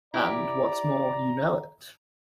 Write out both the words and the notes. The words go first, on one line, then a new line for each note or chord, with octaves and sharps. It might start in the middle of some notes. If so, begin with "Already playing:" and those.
And, what's more, you know it.
E4 G4 D5 A#5